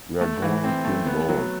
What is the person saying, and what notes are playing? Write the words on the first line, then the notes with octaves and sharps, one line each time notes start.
We are going to Lloar.
A3
E3
C4
A3
B3
F#3